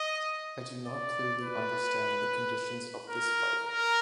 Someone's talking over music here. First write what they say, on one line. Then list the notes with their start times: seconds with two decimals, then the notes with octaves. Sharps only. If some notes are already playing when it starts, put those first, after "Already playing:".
I do not clearly understand the conditions of this fighting.
Already playing: D#5
0.86 D5
1.42 B4
3.10 A#4
3.66 A#4